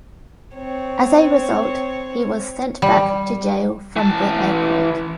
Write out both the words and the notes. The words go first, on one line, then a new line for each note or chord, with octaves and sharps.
As a result, he was sent back to jail from the airport.
C4 C#5
G3
E3 A5